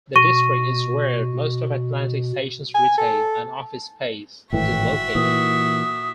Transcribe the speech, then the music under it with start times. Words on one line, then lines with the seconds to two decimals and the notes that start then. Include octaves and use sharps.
The District is where most of Atlantic Station's retail and office space is located.
0.16 B2 C#6 A#6 D#7
2.75 G#5
2.98 A4
4.53 G#1 A2 E3 F#4 E5 G5
5.15 A#2 E3 D#6